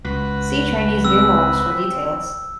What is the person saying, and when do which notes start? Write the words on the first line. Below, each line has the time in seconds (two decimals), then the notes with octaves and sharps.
See Chinese numerals for details.
0.05 C#2 F#4 B4
1.05 C4 E6